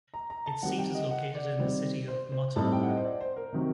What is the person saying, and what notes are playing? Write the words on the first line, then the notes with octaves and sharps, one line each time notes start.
Its seat is located in the city of Motala.
A#5
A#5
A5
D#3 G3 C4 G4 A#4 F#5
G5
D#5
F#5
D5
D#3 G3 C4 G4 C5
C5
C5
A2 G3 C4 D#4 A4 A5
G5
F#5
D#5
C5
D5
C5
A#4
C3 D#3 F#3